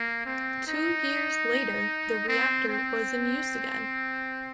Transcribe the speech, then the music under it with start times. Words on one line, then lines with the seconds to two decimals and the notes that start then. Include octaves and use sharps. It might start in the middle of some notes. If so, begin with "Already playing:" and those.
Two years later the reactor was in use again.
Already playing: A#3
0.26 C4
0.68 D#4
2.28 C4
2.69 C4